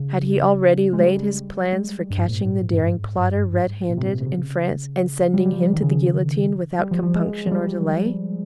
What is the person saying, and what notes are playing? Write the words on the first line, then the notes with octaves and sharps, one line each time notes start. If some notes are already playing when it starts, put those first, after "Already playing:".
Had he already laid his plans for catching the daring plotter, red-handed, in France, and sending him to the guillotine without compunction or delay?
Already playing: C#3
G#3
G3
G#3
G2
G#2
A#2
G#2
G2
G#2
G2
G#2
A#2
C3
A#2
C3
C#3
G3
G3
F3
D#3
C#3
G3
F3
F3
G#3
F3
G3